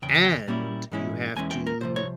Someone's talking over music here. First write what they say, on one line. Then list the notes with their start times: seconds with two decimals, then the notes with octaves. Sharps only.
and you have to
0.02 E2 C#3 G5
0.24 G5
0.47 A#2 G3 A#3 C#4 E4
0.91 G#2 E3 G#3 C#4 E4
1.36 E2 E3 G#3 C#4 E4 G#5
1.51 G5
1.67 A#4
1.81 C2 C3 F3 C5
1.96 C#5